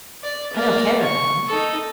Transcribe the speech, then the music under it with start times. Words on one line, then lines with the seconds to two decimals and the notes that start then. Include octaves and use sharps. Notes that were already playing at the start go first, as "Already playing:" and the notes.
I don't care about it.
0.23 D5
0.53 A#3 D5
1.02 C#6
1.47 D#4 A4